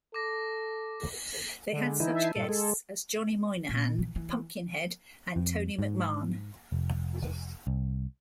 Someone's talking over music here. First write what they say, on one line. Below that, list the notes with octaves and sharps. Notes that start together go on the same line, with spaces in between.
They had such guests as Johnny Moynihan, Pumpkinhead and Tony McMahon.
A4 D6 A#6
D3 G#3
E3 D#4 E4
E5 A5 C7
G2 A#2 A4
G#3 A4
A#2
E3
E3
F2
G#2
F1
C2